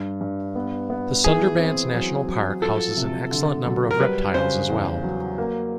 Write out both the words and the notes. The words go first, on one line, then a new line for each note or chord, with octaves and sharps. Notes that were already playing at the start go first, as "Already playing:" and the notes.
The Sundarbans National Park houses an excellent number of reptiles as well.
Already playing: G2
G2
B3
B3
E3 G#4
C4
F#3
F#3
F3 A4
C3
D3
F#3
A#4
G3 B4
C#3 C5
E2
F#3
A#3